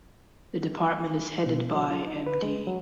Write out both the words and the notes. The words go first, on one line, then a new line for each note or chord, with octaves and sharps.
The department is headed by Md.
B2
F#3
F4
D#4
B4
G#3
F#3